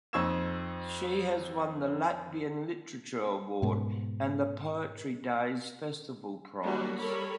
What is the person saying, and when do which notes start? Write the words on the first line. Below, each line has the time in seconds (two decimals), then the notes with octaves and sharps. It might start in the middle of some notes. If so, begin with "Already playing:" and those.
She has won the Latvian Literature Award and the Poetry Days Festival prize.
0.13 F2 D#4 C#6 E6 G#6 E7
3.62 G#2 B2
6.62 F#3 G3 A#3 D4 F#4
6.99 G3 A4 A#4 C#5 B5